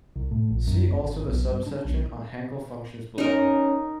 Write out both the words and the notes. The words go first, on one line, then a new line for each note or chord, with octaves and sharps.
See also the subsection on Hankel functions below.
C2
A2
A#1
F#2
G1
G#1
B1
G2
D4
B1
C#4 D#4 A#4